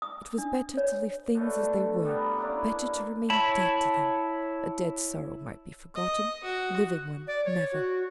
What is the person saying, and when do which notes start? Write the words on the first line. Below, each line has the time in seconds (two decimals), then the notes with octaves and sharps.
It was better to leave things as they were--better to remain dead to them--a dead sorrow might be forgotten--living one never!
0.02 D#6
0.38 D4
0.77 C#5
1.35 B2 D3 A3
2.05 G3 B3 A4 A#4
2.37 A#3 C#4 D4 E4
3.30 E4 C#5 A5 B5
5.95 D#5
6.44 F#4
7.27 D5
7.45 C#5
7.72 F#4